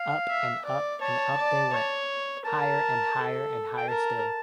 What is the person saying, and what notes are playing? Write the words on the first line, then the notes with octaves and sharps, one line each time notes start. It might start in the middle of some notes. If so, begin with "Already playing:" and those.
Up and up and up they went — higher and higher and higher still.
Already playing: F5
E5
D5
C#5 A5
D5
C#5
A#4 A5
A4
G5
A#4 A5